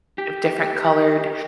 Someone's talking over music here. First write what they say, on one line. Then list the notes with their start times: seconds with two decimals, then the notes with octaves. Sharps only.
of different colored
0.18 G4